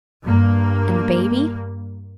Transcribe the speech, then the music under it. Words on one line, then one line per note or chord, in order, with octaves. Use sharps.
And the baby?'
G2 A#3